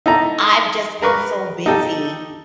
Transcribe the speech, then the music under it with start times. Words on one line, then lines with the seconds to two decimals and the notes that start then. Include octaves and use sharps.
I've just been so busy,
0.06 D#4 E4 A4 A#5
1.02 A#4 B4 C#6
1.66 D#4 G4 A4